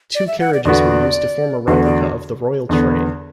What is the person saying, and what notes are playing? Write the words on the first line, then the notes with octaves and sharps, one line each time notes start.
Two carriages were used to form a replica of the Royal Train.
D5
E5
F#5
D5
E2 D3 B3 F#4 D5
E2 D3 A3 F#4 B4
D5
E2 D3 B3